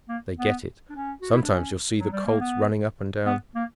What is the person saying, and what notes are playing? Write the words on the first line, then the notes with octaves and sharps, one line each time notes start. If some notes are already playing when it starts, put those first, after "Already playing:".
They get it. Sometimes you'll see the colts running up and down.
A#3
B3
D4
C#4
F#4
E4
D4
C#4
F#3
G3
A#3
B3
B3
A#3